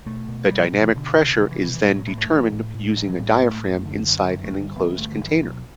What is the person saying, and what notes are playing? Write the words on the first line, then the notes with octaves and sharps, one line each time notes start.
The dynamic pressure is then determined using a diaphragm inside an enclosed container.
B2 A3
B2
B2 G3
B2
E3
B2 D3
C2 D3
C2
E3
B2 E3
E3
A2 G3
F#3
A2 G3
A3
A1
A2
A2
A1
F#3
A2 G3
B3
A2
A3
F#2 A3
D3
F#2 F#3
G1
A3
G1 G3
G1 B3
G1 A3
D3
G1
E3
B1 F#3